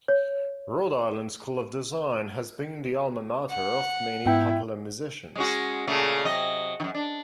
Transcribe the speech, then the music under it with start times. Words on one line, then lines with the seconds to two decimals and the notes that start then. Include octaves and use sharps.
Rhode Island School of Design has been the alma mater of many popular musicians.
0.08 C#5
3.51 F#5
4.26 G#2 B3 E4 G5
5.35 G#3 C#4 F#4
5.87 A#2 C#3 A3
6.25 C3 F#3 D#5
6.80 F#2 D#3
6.95 D4